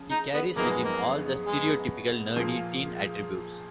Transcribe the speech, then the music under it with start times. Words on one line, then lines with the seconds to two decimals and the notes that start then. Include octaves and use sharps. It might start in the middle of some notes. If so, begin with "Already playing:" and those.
He carries with him all the stereotypical nerdy teen attributes.
Already playing: C#3 F3 G#4
0.11 D#4
0.34 B3
0.56 F#2 F3 A#3 B3 D#4 G#4
0.70 G#3
0.84 A#3
1.46 G#3
2.36 A#2 F3 A#3 F4 G#4